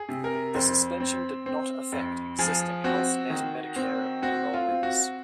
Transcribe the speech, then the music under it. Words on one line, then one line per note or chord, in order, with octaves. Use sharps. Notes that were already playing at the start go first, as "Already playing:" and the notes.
The suspension did not affect existing Health Net Medicare enrollees.
Already playing: G#4
C3
A#4
F2 C5
C4
C4
F2
F3 G#4
C4 F#4
D#3
C4
C4 F#4
F4
C4
F#4